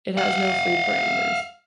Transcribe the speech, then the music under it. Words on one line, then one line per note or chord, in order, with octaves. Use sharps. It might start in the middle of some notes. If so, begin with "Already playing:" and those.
It has no free parameters.
F5 F#5